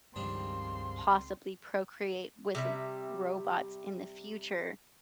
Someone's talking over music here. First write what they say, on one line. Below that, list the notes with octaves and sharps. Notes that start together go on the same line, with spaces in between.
possibly procreate with r robots in the future.
C#2 G2 D#3 F3 G3 C4 D4 C6
C3 G3 E5